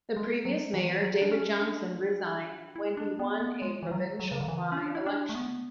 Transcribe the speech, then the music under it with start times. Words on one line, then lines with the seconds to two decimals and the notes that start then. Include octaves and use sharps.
The previous mayor David Johnson resigned when he won a provincial by-election.
0.16 G#3
0.45 F#3
0.74 E3
1.03 F#3
1.22 D4
1.32 C#4
1.61 D4
2.76 E4
2.97 D4
3.19 B3
3.40 B3
3.62 G#3
3.83 E3
3.91 F#3
4.20 F#3
4.32 C#3
4.40 D3
4.48 E3
4.72 C#4
4.77 D4
4.95 E4
5.06 D4
5.29 A3
5.35 B3